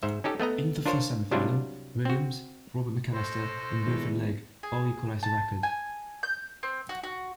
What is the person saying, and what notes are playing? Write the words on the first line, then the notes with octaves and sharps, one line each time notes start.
In the first semifinal, Williams, Robert McAllister, and Wilfred Legg all equalized the record.
G#2 C5 E5
C#4 D#4 G4 A4
A3 B3 D#5 A#5
D4 F4 A#4 C5 C#5
C3 F#3 G3 D4 E4 F4
C4 F#4
B2 A4 C5 A#6
E2 D#3 G#3
G#4
A5
G#5
G6
C4
F#4
F#4